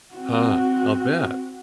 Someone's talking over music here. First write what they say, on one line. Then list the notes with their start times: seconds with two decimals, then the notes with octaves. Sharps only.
Huh, I'll bet.
0.15 C4 F#4